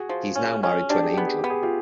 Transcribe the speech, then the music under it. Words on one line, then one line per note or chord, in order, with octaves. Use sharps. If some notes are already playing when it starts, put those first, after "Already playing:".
He is now married to Angel.
Already playing: F#4 G#4
F3
C#4
C#4
D4 G4
G#4
B3 G4
G#4
G4
B3
G#4
F4 G4